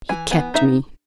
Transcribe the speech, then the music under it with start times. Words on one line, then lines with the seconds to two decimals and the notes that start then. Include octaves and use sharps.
"He kept me."
0.09 E3 G#5
0.31 B3 G#5
0.54 D#4 E5